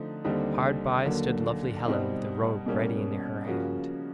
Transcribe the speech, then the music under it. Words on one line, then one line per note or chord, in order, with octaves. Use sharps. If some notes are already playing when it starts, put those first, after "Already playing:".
Hard by stood lovely Helen with the robe ready in her hand.
Already playing: D3 F3 A3 C4 D#4
D#2 D3 G3 C4 D#4
D#2 D3 F#3 A#3
B2 G3 C4 D#4
B2 G3 A#3 C#4
C#3 F3 A#3 C#4 F#4